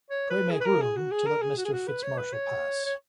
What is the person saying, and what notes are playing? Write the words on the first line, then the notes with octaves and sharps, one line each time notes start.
Pray make room, to let Mr. Fitz-Marshall pass.
C#5
B4
G#4
B4
A#4
G#4
F#4
G#4
A#4
G#4
F#4
G#4
F#4
B4
C#5
B4
C#5
C#5